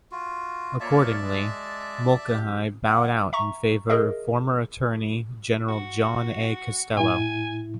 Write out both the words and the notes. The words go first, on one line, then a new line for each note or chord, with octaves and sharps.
Accordingly, Mulcahy bowed out in favour of former Attorney General John A. Costello.
F4 F#4
A#3 F4 C#5 D5 E5 A5
G#3
G4
F#5
E5 A#5 C#6
G#4 A#4 D#5 E5
F#4
A2 E4 G#5